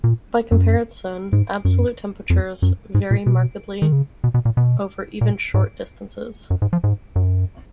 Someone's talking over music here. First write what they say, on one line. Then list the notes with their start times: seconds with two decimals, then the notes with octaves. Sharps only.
By comparison, absolute temperatures vary markedly over even short distances.
0.04 A#2
0.52 F#2
1.33 G#2
1.65 F#2
2.30 F2
2.62 F#2
2.95 G#2
3.11 A#2
3.26 B2
3.82 D#3
3.92 C#3
4.24 B2
4.34 B2
4.45 A#2
4.57 B2
5.21 A#2
5.54 G#2
6.50 F#2
6.62 G#2
6.73 F3
6.84 G#2
7.16 F#2